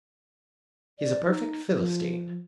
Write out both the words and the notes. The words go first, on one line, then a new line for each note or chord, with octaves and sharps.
"He's a perfect philistine."
D5
D#4
F3